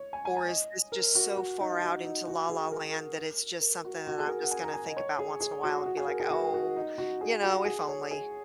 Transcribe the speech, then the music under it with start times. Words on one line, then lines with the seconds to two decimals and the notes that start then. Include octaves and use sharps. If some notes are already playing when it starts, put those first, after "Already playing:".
or is this just so far out into la, la, land that it's just something that I'm just gonna think about once in a while, and be, like, "Oh, you know, if only"
Already playing: C#5
0.13 G#5
0.25 G#5
0.37 G#5
0.47 D#5
0.92 A#4
1.15 F#4
1.37 F#4
1.60 D#4
1.81 F#4
2.05 D#4
2.27 F#4
2.49 G#4
2.72 A#4
3.61 A#4
3.85 F#4
4.07 F#4
4.18 G#4
4.28 A#4
4.43 F#5
4.51 G#5
4.63 A#5
4.74 G#5
4.85 D#5
4.97 C#5
5.19 G#4
5.41 G#4
5.63 F#4
5.86 F#4
5.97 G#4
6.08 A#4
6.20 G#4
6.30 F#4
6.54 F#4
6.76 D#4
6.98 F#4
7.21 G#4
7.43 F#4
7.65 G#4
7.88 C#5
8.11 G#4